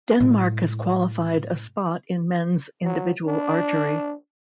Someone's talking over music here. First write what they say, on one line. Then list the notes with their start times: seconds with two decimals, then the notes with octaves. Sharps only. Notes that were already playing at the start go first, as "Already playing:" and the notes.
Denmark has qualified a spot in men's individual archery.
0.20 A2 G#3
2.85 F#3
3.26 D4